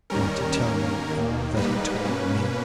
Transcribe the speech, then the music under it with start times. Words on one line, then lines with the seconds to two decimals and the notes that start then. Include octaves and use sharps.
I want to tell you all that he told me.
0.10 D#2 D#3 G3 C#4 A#4
0.58 D#2 D#3 A#3 C#4
1.08 D#2 D#3 A#3
1.57 G#2 G3 A#3 D#4 B4
2.05 B2 A#3 C#4